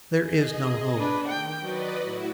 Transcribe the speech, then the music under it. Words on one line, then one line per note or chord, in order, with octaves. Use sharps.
There is no hope.
G#4 D#5
D4 B4
D#3 G5
F#3 B4 D5 D#5
A2 E4 F#4